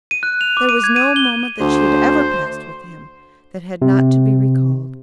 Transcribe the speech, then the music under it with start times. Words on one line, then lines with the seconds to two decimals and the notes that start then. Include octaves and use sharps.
There was no moment that she had ever passed with him that had not to be recalled.
0.11 D#7
0.23 F#6
0.41 F7
0.57 D6
0.69 D#7
0.84 G#6
0.96 D#7
1.16 G7
1.60 D2 C5
3.82 C3